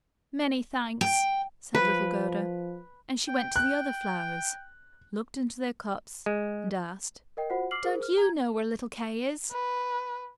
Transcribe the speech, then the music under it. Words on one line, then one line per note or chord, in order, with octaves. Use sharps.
"Many thanks!" said little Gerda; and she went to the other flowers, looked into their cups, and asked, "Don't you know where little Kay is?"
G5
F3 B4
G5
F#6
G#3
A#4 D#5 G5
F4 F#4 C5 F#5
D6 F6 C7 F#7
G#4 A#4 C5
F6
A#5 G#6
B4